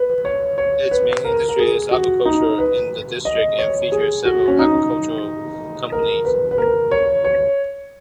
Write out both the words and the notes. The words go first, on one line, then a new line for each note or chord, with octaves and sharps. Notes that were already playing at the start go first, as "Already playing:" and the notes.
Its main industry is agriculture in the district and features several agricultural companies.
Already playing: B4
C#5
C#5
B4
A#4
A#4
G#4
F#4
D#4
B4
D#5
C#5
G#4
F#4
C#4
D#4
A#4
B4
B4
A#4
C#5
C#5